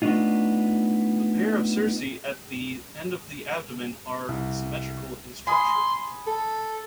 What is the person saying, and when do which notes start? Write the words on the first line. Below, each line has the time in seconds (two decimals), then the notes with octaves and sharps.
The pair of cerci at the end of the abdomen are symmetrical in structure.
0.02 A3 B3 D4 D#4 F4
4.29 C2
5.47 G#5 B5 C6 D#6
6.27 A4